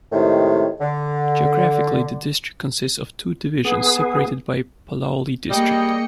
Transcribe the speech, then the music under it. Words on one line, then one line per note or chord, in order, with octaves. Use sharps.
Geographically, the district consists of two divisions separated by Palauli district.
A2 C3 D#3 G#3
D3
B3 G#4
G3 A#3 G#4 D#5 G5 C#7